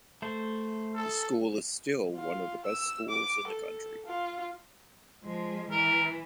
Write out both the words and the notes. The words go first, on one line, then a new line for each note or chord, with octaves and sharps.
The school is still one of the best schools in the country.
A3 C5
A4
F4
E6
D6
A4
F4
F3 G#3
E3 A#4